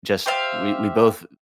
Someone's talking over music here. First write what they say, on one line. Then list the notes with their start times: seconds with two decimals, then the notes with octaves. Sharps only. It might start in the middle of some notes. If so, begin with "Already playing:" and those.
just we we both
0.26 G4 C5 E5 F5